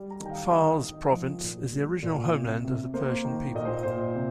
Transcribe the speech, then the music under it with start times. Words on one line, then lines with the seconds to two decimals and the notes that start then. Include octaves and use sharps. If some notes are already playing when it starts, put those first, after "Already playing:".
Fars Province is the original homeland of the Persian people.
Already playing: G3
0.11 A#5
0.20 D#3
0.26 G5
0.31 F5
0.51 D#3 D#5
0.81 D#3
1.12 F3
1.43 A#2
1.72 G3
2.03 A#2
2.34 C3
2.65 C3
2.94 A#3 C5
3.24 D#3
3.55 A#2 D#5
3.65 C5
3.83 A#2 C5
4.15 C3